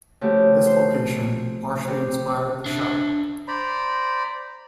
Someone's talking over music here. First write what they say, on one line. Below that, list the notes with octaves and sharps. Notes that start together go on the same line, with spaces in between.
This location partially inspired the show.
C#3 F3 A3 F#4 G4
C5
C3
D4 E5
C5 D5 A#5 B5